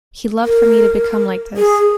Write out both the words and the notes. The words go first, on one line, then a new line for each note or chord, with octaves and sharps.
He loved for me to become like this.
A#4
G#4